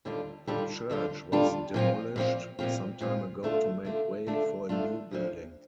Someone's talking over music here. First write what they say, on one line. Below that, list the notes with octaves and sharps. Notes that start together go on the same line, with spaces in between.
The church was demolished some time ago to make way for a new building.
D#2 D3 G3 D4 F4
D#2 D3 G3 D4 F4
D#2 D3 G3 D4 F4
D#2 D3 G3 D4 F4
A#2 F3 C4 F4
A#2 F3 C4 F4
A#2 F3 C4 F4
A#2 F3 C4 F4
D3 A3 D4 F4
D3 A3 D4 F4
D3 A3 D4 F4
D3 A3 D4 F4
D2 D3 F3